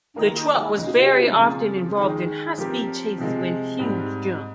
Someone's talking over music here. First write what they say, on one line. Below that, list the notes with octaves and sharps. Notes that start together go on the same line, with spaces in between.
The truck was very often involved in high-speed chases and huge jumps.
D#3 A#3 F4 A#4
C#3 G#3 D#4 G#4
C#3 F3 C4 F4 G#4
D#3 G#3 D#4 G#4
F3 C4 G4 A#4
C3 F3 G#3
G#2 G3 C4